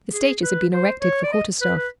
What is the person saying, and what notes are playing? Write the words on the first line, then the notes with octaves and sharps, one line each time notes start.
The stages had been erected for quarter-staff.
G#4
B4
C5
C#5
D5
D#5
B4
B4